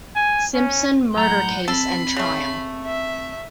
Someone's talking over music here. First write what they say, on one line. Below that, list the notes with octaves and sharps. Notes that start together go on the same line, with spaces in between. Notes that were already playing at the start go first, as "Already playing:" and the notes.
Simpson murder case and trial.
G#5
C#4
A2 F#3 F#5 A#5 G6
C4 A4 B5 C7
C#3 A3
E5